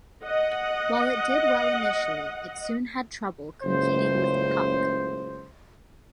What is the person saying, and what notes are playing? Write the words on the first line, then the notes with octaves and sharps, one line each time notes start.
While it did well initially, it soon had trouble competing with "Puck".
D#5 F#5
F#1 C#2 A2 C5